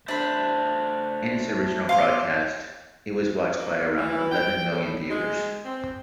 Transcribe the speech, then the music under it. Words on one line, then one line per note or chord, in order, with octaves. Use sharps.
In its original broadcast, it was watched by around eleven million viewers.
A3 D4 C5 E5 B5
F5 C6 D6
A#3
E3
G5
A2
G#3
C4